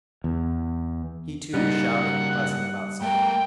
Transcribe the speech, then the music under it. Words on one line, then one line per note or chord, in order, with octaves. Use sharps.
He, too, was shouting and fussing about something.
E2
C#3 G3 A#3 D#4 F#5
A3 A#4 G5